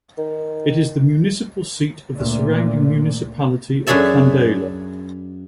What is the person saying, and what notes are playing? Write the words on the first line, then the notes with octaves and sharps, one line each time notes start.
It is the municipal seat of the surrounding municipality of Candela.
D#3
D2 A#2
F#2 D4 G#4 C#5 E5 A5